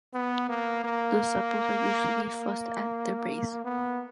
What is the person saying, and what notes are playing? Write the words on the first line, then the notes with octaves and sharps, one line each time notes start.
The sepals are usually fused at their base.
B3
A#3
A#3
A#3
B3